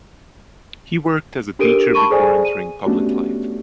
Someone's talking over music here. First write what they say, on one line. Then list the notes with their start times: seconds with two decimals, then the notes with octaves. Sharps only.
He worked as a teacher before entering public life.
1.59 D4 G4 A4 A#4 D7 D#7
1.94 A5 B5 C#6 D#7
2.10 G#4 A4 C5 D5 G#5
2.45 D#7
2.85 A3 B3 C#4 D4 F#4 G4